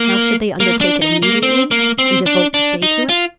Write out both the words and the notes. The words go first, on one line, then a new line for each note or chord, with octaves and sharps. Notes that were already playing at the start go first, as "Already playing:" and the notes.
Now should they undertake it immediately, and devote this day to it?
Already playing: A#3
A#3
D4
D#4
A#3
C4
A#3
C4
D4
D4
D#4
F4